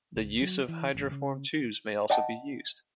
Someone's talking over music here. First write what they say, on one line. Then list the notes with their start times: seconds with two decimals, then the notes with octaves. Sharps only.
The use of hydroformed tubes may also be used.
0.16 C#2
0.41 F#3
0.68 E3
0.95 A1
1.11 C#3
2.10 D5 D#5 F#5 G5 A5